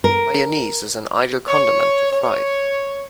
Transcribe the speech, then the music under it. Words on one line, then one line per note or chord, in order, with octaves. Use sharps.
Mayonnaise is an ideal condiment to Fries.
A#4
C#5
C#5